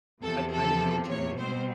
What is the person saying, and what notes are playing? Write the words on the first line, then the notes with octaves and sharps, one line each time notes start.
I kind of know what you mean.
E2 C3 F3 A4
A4
C#5
B2 G3 C4 C5